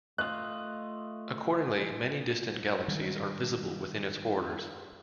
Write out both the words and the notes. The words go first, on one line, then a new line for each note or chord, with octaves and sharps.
Accordingly, many distant galaxies are visible within its borders.
A3 F4 D#5 F#6
D#3 G3 G#3